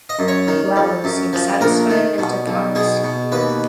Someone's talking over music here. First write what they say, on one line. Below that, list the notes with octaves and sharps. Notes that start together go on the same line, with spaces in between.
Lalo seems satisfied and departs.
D#5
F#2
C#5
D#3
F2
F#2
F3
A#1 A#4
D#3
B2
B1
B2 G#4
B2
D#2 B4